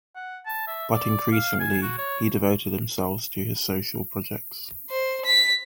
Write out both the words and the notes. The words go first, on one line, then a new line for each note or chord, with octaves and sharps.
But increasingly he devoted himself to his social projects.
F#5
A5
E5
D5
F5
G#5
F#4
C#5
C5
B6